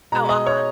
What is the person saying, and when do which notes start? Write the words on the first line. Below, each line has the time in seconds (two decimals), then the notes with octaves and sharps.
Oh, uh-huh.
0.12 B2 G#3 A#5
0.29 D#5
0.46 C#5